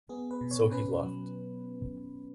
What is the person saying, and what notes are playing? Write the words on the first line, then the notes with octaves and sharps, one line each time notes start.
So he left.
B3 G#4
B4
B2
C#5
C#4 B4
F#3